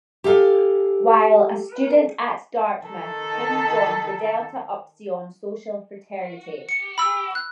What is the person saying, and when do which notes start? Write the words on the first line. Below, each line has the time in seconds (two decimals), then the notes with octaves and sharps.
While a student at Dartmouth, King joined the Delta Upsilon social fraternity.
0.24 G4 A4 F5 G#5
2.84 D#3 A4
6.69 C#7
6.98 B5 E6
7.35 F#6